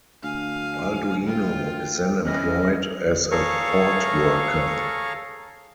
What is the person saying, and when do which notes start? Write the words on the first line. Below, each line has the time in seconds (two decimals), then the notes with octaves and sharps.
Balduino is then employed as a port worker.
0.23 D2 F5 G#5
1.27 F4 G5
2.25 E3 C#4 A4 D#5 F6 A#6
3.32 G#4 A4 C#5 F5 A#5 C#6